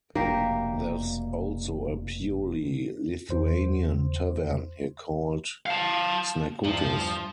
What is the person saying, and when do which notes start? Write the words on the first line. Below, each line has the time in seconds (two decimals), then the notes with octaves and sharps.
There’s also a purely Lithuanian tavern here called Šnekutis.
0.15 F1 B2 A#3 D4 G4
3.29 E2 C5
5.66 F5 A5
6.64 E2 G2 F3